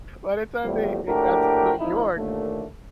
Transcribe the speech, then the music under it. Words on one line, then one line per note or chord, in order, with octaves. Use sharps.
By the time they they got to New York
E2 A2 C3 F3 G3
A#1 A2 D4 F#4 G4 A#4
G#1 F3 D#4 E4
D#2 A#2 D3 A3